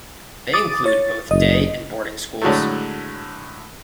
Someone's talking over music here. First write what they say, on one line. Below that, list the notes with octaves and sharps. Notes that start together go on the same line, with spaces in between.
They include both day and boarding schools.
D6 D#6 A6
C#5 A6
F#1 D#5
A2 D3 F#3 G#3 A3